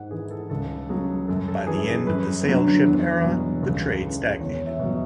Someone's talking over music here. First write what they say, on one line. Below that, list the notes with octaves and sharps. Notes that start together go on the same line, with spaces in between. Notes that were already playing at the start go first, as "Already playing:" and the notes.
By the end of the sail ship era, the trade stagnated.
Already playing: G#2 F#5
E3 G#4
A4
C#2 A4
C#3 F#3 G#4
F#2 A4
A4
E3 G#4
F#2 B4
D3 F#3
E2
B2 F#3
C#2 A4
C#3 E3
E2 C#5
E5
B2 F#3